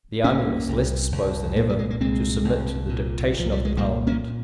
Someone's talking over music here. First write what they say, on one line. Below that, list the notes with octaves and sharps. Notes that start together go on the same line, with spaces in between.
The army was less disposed than ever to submit to the dictation of the Parliament.
C2 A#3 C#4
C2
C2
A#2
G3
G#3
A#3
C2 G#3 C4
C2
A#2
C2
F3
G3
G#3
A#2 G3 A#3
A#3 C#4